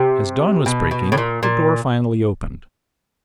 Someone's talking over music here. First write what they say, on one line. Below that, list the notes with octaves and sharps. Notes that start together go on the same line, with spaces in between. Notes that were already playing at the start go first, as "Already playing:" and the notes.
As dawn was breaking, the door finally opened.
Already playing: C3
B2
B2
A2
A#2
A#2